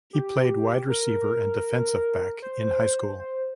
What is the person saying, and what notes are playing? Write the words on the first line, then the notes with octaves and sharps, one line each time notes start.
He played wide receiver and defensive back in high school.
G4
A#4
C5
C5